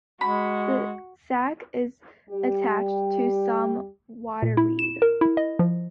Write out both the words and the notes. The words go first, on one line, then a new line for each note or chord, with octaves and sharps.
The sac is attached to some water weed.
G#3 F#4 B5
G3 G4
A#2
E4
E7
A#4
E4
D#5
F3